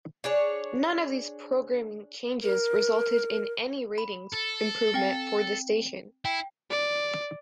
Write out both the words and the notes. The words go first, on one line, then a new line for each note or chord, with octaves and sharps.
None of these programming changes resulted in any ratings improvement for the station.
D4 G#4 C#5
A#4
B5
A4
C4 G5
E4 G5
D5